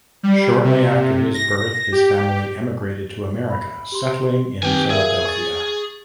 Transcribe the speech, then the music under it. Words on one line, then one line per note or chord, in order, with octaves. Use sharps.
Shortly after his birth his family emigrated to America, settling in Philadelphia.
G3
C3
A#6
G4
B5
G4 C6
D#3 C4 G4 B4 G5 G#5 F#7
G#4 A#4 E5 F5 E6
C#6 G#6 A6